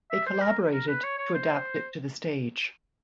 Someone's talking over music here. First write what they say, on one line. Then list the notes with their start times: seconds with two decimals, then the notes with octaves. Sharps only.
They collaborated to adapt it to the stage.
0.11 E5
0.26 C5
0.41 A#4
0.73 A#4
0.88 B4
1.03 C#5
1.18 C#5
1.34 C5